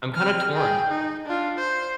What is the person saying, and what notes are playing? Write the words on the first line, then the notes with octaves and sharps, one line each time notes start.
I'm kinda torn.
C4 F6
G#4 G5
D#4
D4 F4
C5